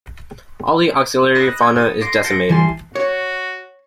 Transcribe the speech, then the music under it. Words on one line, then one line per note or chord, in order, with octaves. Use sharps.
All the auxiliary fauna is decimated.
D#5 B5 D#6 E6 F#6 A#6
G6 G#6
A4 D#7
C6 D6 A#6 C7 D7
A5 G6 A#6 C#7 D7
E3 G3 G#5 A5 C6
F#4 C#5